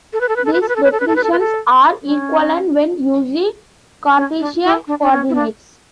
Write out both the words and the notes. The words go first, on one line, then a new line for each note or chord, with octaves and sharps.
These definitions are equivalent when using Cartesian coordinates.
A4
B4
A4
B4
A4
B4
A4
B4
A4
B4
A4
B4
A4
B4
A4
B4
A4
C#4
C#4
D4
E4
D4
D4
C#4
E4
D4